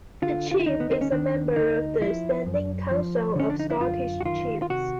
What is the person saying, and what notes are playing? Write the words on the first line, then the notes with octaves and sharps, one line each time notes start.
The chief is a member of the Standing Council of Scottish Chiefs.
D3 F4
F4
E4
D#2 D#4
B3
C4
C#4
D#3 D4
D2 D#4
F3 E4
F#2
F3
D3 C#4
D4
D#4
E4
F#2 F4
F#4
D#3 F4
F4
C3 F#4